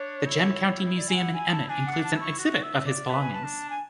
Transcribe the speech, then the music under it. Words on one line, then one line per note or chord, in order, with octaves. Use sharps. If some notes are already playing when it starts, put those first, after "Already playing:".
The Gem County Museum in Emmett includes an exhibit of his belongings.
Already playing: D4 C#5
E4
D5
G#5
F#5
G#5
A5
D4 G#5
F#5
D4
A5
E4 C#6
F#4
E5
D5
B4 A5
G#5
A5
D4
G#5